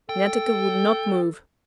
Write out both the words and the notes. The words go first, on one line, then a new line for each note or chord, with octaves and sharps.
Netteke would not move.
A4 G5